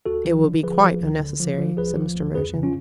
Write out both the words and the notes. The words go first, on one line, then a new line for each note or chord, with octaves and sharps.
"It will be quite unnecessary," said Mr. Merton.
D2 F#4 A4
F3
D3
F3 G#4 B4
F3
D2
D3
F3
F3
D2 G#4 B4
F3
D2
F2 G#4 B4
C#3
C#4 F4